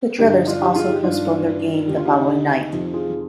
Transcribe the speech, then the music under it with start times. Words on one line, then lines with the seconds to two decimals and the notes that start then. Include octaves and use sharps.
The Drillers also postponed their game the following night.
0.19 G2 D3 D#4 G4
0.33 D#4 G4
0.47 D4 F4
0.61 D#4 G4
0.75 F4 G#4
0.89 D#4 G4
1.03 G2 D#3 D4 F4
1.87 D#2 D3 G4
1.97 F4
2.06 D#4 G4
2.72 F2 C3 D#3
2.93 F4 G#4